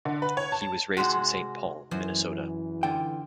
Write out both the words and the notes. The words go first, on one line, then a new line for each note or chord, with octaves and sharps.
He was raised in Saint Paul, Minnesota.
D3
B4
C#5
A5
G#2 C3 G#3 F#4
F#2 E3 F#3 C5
D3 F4 G5